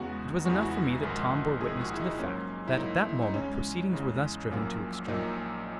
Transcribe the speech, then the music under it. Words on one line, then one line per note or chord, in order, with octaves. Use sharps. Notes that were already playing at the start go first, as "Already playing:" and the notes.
It was enough for me that Tom bore witness to the fact that at that moment proceedings were thus driven to extremity.
Already playing: E2 C#3 G#3 B3 F#4
E2 C#3 G#3 B3 F#4
E4
F#4
A#1 G#2 D#3
A#1 G#2 D#3 G#4
F#4
E4
D#4
G#2 F#3 A#3 C#4
E4
G#2 F#3 A#3 D#4
E4
D#4
E2 C#3 G#3 C#4
E2 C#3 G#3
A#1 A#2 F#3 A#3
A#1 A#2 F#3 A#3 D#4